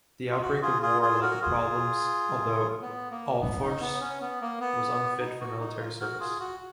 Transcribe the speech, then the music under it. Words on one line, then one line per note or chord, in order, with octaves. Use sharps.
The outbreak of war led to problems although Ahlfors was unfit for military service.
F4
F#4
F4 G#4
F4 G#4
F4 G#4
F#4 A#4
F4 G#4
B3
A#3
B3
D#4
B3
C#4
B3
A#3
B3
D#4
F#4
D#4
F4
F#4 A#4
F4 G#4
F#4